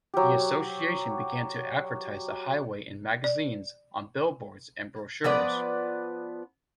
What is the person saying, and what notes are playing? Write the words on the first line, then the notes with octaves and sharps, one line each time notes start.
The association began to advertise the highway in magazines, on billboards, and brochures.
F#3 G4
D5
F3 B3 B4 D5